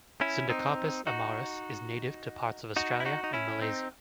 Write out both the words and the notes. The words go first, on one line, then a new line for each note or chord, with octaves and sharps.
"Sundacarpus amarus" is native to parts of Australia and Malesia.
C#4 E4
C4 D#4
D#4 F#4
D#4 F#4
E4
D#4 F#4
D#4
C#4 E4
C4 D#4